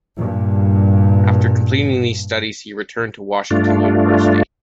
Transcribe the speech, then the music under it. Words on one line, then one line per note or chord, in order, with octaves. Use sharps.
After completing these studies he returned to Washington University.
G2 A#2
G2 A3 D4 F4